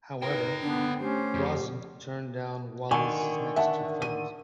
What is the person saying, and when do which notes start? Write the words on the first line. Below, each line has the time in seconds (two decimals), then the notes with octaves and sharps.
However, Rossen turned down Wallis's next two films.
0.22 D#4 A#4 B4 C#5 G5
0.61 D3 B3 D4
1.00 A3 C#4 G4 C5
1.34 F2
2.91 D3 D#3 G#5 C#6
3.56 E5 F#5 A5
4.02 D#7